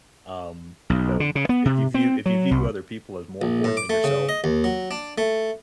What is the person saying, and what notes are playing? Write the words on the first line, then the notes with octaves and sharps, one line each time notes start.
um, you know, if you view if you view other people as more important than yourself,
B1
D3
C#3
B3
C3
C4
F#3
C2
A#1
A2
D6
A3
C#3
D#5
D#2
F#3
D4
A3